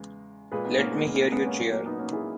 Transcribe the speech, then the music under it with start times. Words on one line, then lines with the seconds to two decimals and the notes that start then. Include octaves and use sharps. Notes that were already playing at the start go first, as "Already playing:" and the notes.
Let me hear you cheer!
Already playing: E2 C#3 G#3
0.52 A#2 G#3 G#4 B4
0.65 B3 D#4
0.78 A#3 C#4
0.91 G#3 B3
1.19 A#3
1.32 G#3 B3
1.45 A#3 C#4
1.59 A#2 F#3
1.72 A#3
1.86 B3 D#4
1.98 A#3 C#4
2.12 E4 G#4